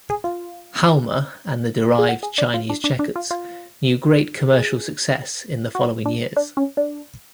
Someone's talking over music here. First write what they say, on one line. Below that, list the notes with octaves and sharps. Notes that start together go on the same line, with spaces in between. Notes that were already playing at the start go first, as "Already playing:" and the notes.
Halma and the derived Chinese checkers knew great commercial success in the following years.
G#4
F4
G#4
F#4
G#4
D4
F4
D4
D4
D4
F4
F4
G#4
F#4
D4
D4
C#4
D4